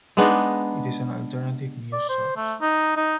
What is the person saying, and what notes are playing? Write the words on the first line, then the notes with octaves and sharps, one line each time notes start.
It is an alternative-news source.
G#3 B3 D4 D#4
D5
C5
A3
D#4
D#4